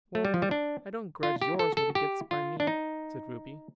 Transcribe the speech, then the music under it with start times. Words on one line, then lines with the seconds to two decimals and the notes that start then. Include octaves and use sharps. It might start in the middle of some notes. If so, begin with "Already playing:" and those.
"Well, I don't grudge yours what he gets by me," said Ruby.
0.15 A3
0.25 G3
0.34 F3
0.42 G3
0.51 D4
1.23 F4
1.41 G4
1.59 A4
1.77 A4
1.95 G4
2.31 F4
2.60 D4
2.67 D#4